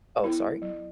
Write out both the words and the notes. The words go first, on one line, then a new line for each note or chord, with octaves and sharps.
Oh, sorry?
B3 E4 A4 C5
F#3